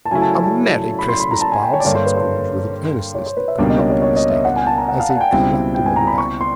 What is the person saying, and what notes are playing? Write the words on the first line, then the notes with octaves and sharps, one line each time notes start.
"A merry Christmas, Bob!" said Scrooge, with an earnestness that could not be mistaken, as he clapped him on the back.
A5
C#3 F#3 A3 C#4 E4 G#5
A5
A5
A5
B5
C6
B5
A#5
A5
G#5
G5
C#5
D5
G2 D3 G3 A#3 C#5
C5
B4
C5
C#5
C5
B4
E5
C#2 B2 G3 A#3 D4
D#5
C#5
C#5
C#5
D#5
E5
F#5
G#5
A5
A#5
F#5
F5
F#5
G#5
G5
C#2 B2 G3 C4 E4
G5
G#5
A#5
B5
C#6
C6